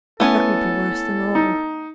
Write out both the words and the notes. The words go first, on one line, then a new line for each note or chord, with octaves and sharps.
That would be worse than all.
A3 B3 C#4 E4 A4 C#5 G#5
D#4